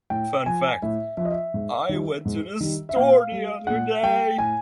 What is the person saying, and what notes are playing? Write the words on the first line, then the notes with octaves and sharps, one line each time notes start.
Fun fact: I went to the store the other day.
A2 G5
F3 G#5
A2 E5
F3 E5
D#5
E5
G#2
D#3 G3
G#2
D#3 G3
E5
A#2 F5
G3
A#2 F#5
G3 G5
A2 G#5